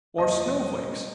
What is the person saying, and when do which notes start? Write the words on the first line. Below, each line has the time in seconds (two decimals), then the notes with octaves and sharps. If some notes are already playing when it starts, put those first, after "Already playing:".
Or snowflakes.
0.18 F2 C3 G3 A#3 D#5
0.47 F2 C3 G3 A#3
0.76 A#2 G3 C#4